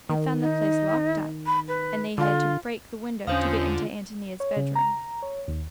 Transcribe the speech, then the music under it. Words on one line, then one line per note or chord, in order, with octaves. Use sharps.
They found the place locked up, and they had to break the window to get into Antonia's bedroom.
D#3
D#4
B5
B4
D3 F4
E2 D3 C#4 F4 C5 D#6
C#5
C#3
A#5
C#5
D#2